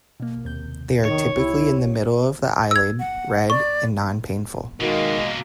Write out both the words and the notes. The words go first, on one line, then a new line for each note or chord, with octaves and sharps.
They are typically in the middle of the eyelid, red, and non painful.
B2 A#3
D#2 C3 G6
D#3 D#4 C#5
C#2 B2 E4 G4
E6 G#6
F#5
D5 C#6
B2 D#3 G#3 A#3 F#4 F5